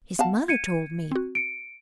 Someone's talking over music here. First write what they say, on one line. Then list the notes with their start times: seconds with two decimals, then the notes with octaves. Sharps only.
His mother told me.
0.19 B3 F5 F#5 A5
0.48 G#6 C#7 D#7
1.12 C4 F#4
1.35 C#7 D7